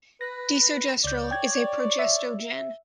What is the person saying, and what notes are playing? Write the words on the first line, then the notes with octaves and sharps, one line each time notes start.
Desogestrel is a progestogen.
B4 A#6
C#2 C#5 D5 G6
G5 G#6
E5